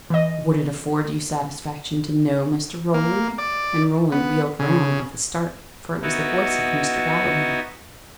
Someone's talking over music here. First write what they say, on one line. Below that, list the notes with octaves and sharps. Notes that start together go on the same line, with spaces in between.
"Would it afford you satisfaction to know, Mr. Roland?" and Roland wheeled round with a start, for it was the voice of Mr. Galloway.
E3 D#5
A#3
D5
B3
C#3
B3 D#4 E4 F#4